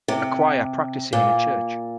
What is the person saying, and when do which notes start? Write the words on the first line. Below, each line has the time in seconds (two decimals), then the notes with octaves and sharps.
A choir practicing in a church.
0.08 C3
1.13 A#2